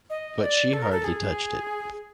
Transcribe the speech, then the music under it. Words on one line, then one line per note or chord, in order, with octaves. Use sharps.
But she hardly touched it.
D#5
D5
A4
A#4
A4
G#4